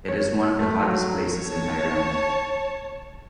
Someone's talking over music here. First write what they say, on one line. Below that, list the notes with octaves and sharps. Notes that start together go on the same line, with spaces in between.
It is one of the hottest places in Iran.
C#5
A3
F#3
C#5 A5